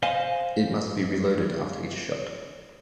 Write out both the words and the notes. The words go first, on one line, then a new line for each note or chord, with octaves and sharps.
It must be reloaded after each shot.
C5 D#5 F5 G#5